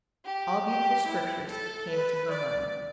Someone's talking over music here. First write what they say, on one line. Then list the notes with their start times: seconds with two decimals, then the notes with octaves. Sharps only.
All beautiful scriptures came into her mind.
0.25 G4
0.67 G4
1.07 E4
1.49 A4
1.89 B4
2.30 D5